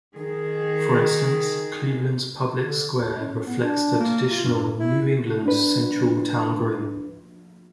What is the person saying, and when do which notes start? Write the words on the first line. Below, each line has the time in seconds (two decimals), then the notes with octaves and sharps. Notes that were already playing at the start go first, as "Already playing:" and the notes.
For instance, Cleveland's public square reflects the traditional New England central town green.
0.14 D#3 G#4
2.65 D3
2.99 D#2
3.18 C#4
3.46 B3
3.62 D4
3.99 A#3
4.31 F4
4.44 G2
4.80 E4
5.46 D4 B4